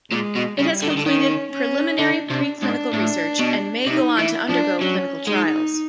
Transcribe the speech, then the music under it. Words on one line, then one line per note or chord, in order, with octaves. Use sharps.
It has completed preliminary preclinical research and may go on to undergo clinical trials.
A#2 G#3
B2
C#3 G3
D3
D#3
D3
D#3 C#4
C#4
D3 D4
C3 D4
G#2 D4
A2
B2
C3 D#4
E3 E4
F3 D4
F#3 C#4
G#3 D#4